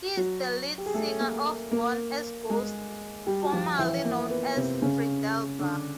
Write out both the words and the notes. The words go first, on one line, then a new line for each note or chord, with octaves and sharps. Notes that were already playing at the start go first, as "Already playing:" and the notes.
He is the lead singer of Born As Ghosts, formerly known as Fredalba.
F#3 F#4
G4
G#4
A3 A4
A#3 A#4
A#3 A#4
G#3 G#4
G3 G4
F#4
F3 F4
E3 E4
A#3
B3
C3 C4
C#3 C#4
D3 D4